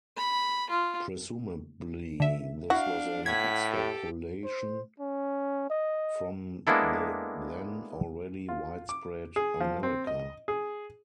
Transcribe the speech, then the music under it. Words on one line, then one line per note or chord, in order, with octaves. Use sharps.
Presumably, this was an extrapolation from the then already widespread "Amerika".
B5
F4
D3 E5
D4 E4 F#4 F5
A2 F#5 G#6 B6
G4 A4
C5
C#4
D#5
G#3 A#3 B3 D4 E4 A4
F4
D6
G#4
F3
C4
D#5
G#4